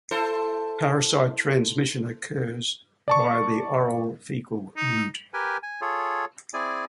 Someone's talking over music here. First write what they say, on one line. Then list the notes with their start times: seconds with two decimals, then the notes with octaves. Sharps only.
Parasite transmission occurs via the oral-fecal route.
0.11 E4 A4 C5
3.08 D5 A5 C#6
4.77 D#4
5.34 G4 A#4 B4 G5 G#5
5.63 G#5
5.81 F4 G#4 A4 C#5
6.54 C4 E4 G#4 D5 G#5